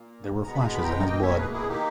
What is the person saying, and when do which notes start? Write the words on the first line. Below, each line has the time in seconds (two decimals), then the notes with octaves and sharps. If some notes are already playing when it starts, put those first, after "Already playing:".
There were flashes in his blood.
Already playing: A#2 A#3
0.44 B2 G#3 B3 A#5
0.54 B5
0.64 A#5
0.74 B5
0.83 G5 A#5
1.06 B2 A#3 D#5 G5
1.22 C#5 E5
1.34 A#4
1.37 G#4 B4
1.53 E4 G#4
1.69 D#3 A#3 D#4 G4